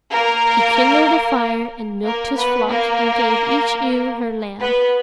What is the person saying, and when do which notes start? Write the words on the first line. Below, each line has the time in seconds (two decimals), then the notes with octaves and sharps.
He kindled a fire, and milked his flocks, and gave each ewe her lamb.
0.11 A#3 A#4
2.03 A#3 A#4
2.36 B3 B4
2.68 A#3 A#4
4.60 B3 B4